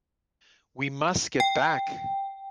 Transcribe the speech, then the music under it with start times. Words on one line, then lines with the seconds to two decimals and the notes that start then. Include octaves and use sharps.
We must get back!
1.40 G5